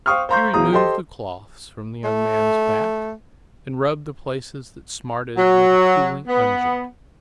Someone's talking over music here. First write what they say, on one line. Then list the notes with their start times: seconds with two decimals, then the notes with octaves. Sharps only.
He removed the cloths from the young man's back, and rubbed the places that smarted with a cooling unguent.
0.06 C5 F5 G5 C#6 D#6 F6
0.29 C5 F5 A#5 C6 C#6 G6
0.53 B1 E3 G#4 F5 A#5 D#6
0.73 G4 A4 C5 D#5 C6
2.04 A3
5.37 F#3
6.27 B3